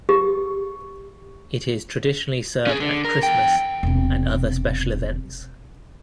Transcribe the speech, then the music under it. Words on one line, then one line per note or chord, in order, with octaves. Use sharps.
It is traditionally served at Christmas and other special events.
G4
C#4 G#4
D3
A#4
E2 G5
E1 C3